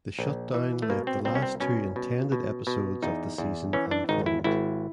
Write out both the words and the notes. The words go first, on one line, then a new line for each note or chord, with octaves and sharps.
The shutdown left the last two intended episodes of the season unfilmed.
A#1
E3
A3
B2 A#3
C4
C2 C4
C#4
C4
B2 C#4
B2
B2
B2
E2 D#4
E2
E3 C#4
D4
G#1 D#4
E4
G#1 E4